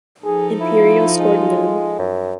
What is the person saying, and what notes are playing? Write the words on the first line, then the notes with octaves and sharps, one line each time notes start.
Imperial scored none.
F3 D#4 G#4 A4
E4 F4
G#3
F#2